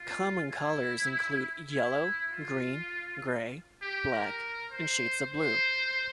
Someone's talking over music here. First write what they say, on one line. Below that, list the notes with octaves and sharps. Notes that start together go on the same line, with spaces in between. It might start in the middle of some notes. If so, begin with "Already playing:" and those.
Common colours include yellow, green, grey, black and shades of blue.
Already playing: F4
E4
E4
F4
G4
A#4
C5
C5